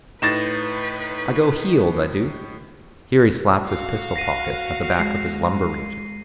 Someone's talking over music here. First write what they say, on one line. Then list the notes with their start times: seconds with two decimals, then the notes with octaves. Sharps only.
I go heeled, I du!' Here he slapped his pistol pocket at the back of his lumbar region.
0.22 A2 D#4 B4 A6 A#6 E7
3.66 F#4 F5
4.16 A#6 C7 D#7
5.00 G#3 C7